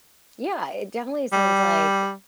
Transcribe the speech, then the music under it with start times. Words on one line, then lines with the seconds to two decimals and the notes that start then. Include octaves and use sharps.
Yeah, it definitely sounds like
1.32 G3